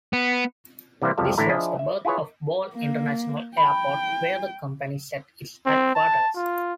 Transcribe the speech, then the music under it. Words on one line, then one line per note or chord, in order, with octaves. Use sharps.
This was the birth of Bole International Airport, where the company set its headquarters.
B3
C3 E3 G3 A#3 E4 C5
C2 F2 C#3 F3 G4 A4
A1 A2 D3 A3 E4 A#5
F3 D4 E4 G#4 D#5
E5
E4 F4 G#4 B4 C#5
A#3
G5 B5
C4
A5
F4